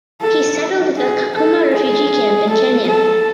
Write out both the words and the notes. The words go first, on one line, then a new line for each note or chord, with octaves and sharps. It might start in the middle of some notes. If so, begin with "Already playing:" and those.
He settled at the Kakuma Refugee Camp in Kenya.
A4
G#4
A4
G#4
A4
A4